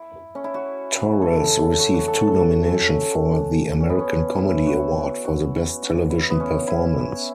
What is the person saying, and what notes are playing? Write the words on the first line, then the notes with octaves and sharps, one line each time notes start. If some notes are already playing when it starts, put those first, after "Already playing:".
Torres received two nominations for the American Comedy Award for the Best Television Performance.
Already playing: E4
C#4
E4
F#4
A4
F#4
F#4
A4
F#4
A4
F#4
C#4
C#4
B3
C#4
E4
F#4
F#4
F#4
E4
B3
C#4
E4